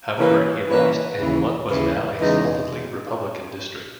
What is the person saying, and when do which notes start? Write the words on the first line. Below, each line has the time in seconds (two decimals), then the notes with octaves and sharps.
However, he lost in what was now a solidly Republican district.
0.19 E3 A#3 C#4 E4 B4
0.69 E3 A#3 C#4 E4 B4
1.19 D#2 C#3 E3
1.71 D#2 C#3 E3
2.21 E2 C#3 E3 G#3 D#4